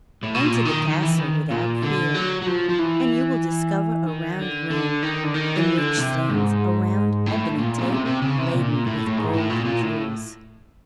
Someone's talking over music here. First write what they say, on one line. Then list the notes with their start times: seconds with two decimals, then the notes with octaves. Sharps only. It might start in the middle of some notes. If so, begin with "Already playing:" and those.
Enter the castle without fear, and you will discover a round room in which stands a round ebony table laden with gold and jewels.
0.23 A2
0.35 B2
0.45 A#2
0.66 D#3
0.87 D#3
1.03 E3
1.19 D#3
1.51 A#2
1.83 D3
2.16 F#3
2.42 F#3
2.48 F3
2.69 F3
2.79 E3
4.06 D#3
4.39 D3
4.70 D3
5.03 D#3
5.23 D3
5.34 D#3
5.55 E3
5.78 D3
5.98 C3
6.30 G#2
7.26 A2
7.58 A#2
7.78 C#3
7.89 C3
8.05 C3
8.22 C#3
8.38 C3
8.54 A#2
8.86 A2
9.07 A2
9.18 G#2
9.34 A2
9.50 A#2
9.65 A#2
9.81 A2